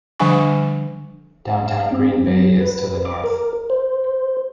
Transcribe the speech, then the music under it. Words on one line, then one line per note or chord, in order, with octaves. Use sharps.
Downtown Green Bay is to the north.
D3 F3 G3 D4 G#5 C#6
F5
C4
F#3
B4
D6
A#4
C5